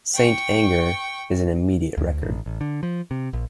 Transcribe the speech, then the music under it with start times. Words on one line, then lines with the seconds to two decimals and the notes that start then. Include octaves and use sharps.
"St. Anger" is an immediate record.
0.14 G5 C#6
1.97 D2
2.22 A1
2.46 A1
2.61 D3
2.83 F3
3.11 C3
3.33 A#1